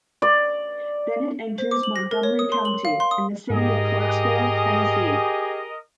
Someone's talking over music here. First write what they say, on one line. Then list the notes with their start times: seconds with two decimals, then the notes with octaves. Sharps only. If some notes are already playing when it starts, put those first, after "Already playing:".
Then it enters Montgomery County and the city of Clarksville, Tennessee.
0.22 D5
1.58 C5
1.71 D6
1.83 F#7
1.96 A#6
2.11 A#4
2.23 C#5
2.39 D#6
2.52 C6
2.65 F#7
2.85 F5
3.00 C6
3.11 D#6
3.50 G#2 G4 G#4 A#4 D#5